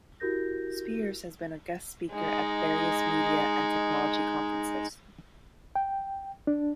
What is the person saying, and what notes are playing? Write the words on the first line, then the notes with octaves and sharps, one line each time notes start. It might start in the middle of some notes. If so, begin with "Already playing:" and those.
Spiers has been a guest speaker at various media and technology conferences.
E4 F#4 G4 A#4 G6 A#6
G#3 D#4
G5
D4